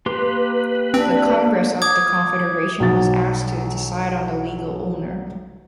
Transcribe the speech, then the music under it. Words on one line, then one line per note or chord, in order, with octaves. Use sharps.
The Congress of the Confederation was asked to decide on the legal owner.
A#3 G4 B4 C6
C4 D4
D6 D#6 G#6
B1 F#3 A6